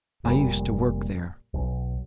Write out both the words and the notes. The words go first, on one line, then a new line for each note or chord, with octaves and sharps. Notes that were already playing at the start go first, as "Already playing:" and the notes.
"I used to work there."
F1 A#2 G3
B1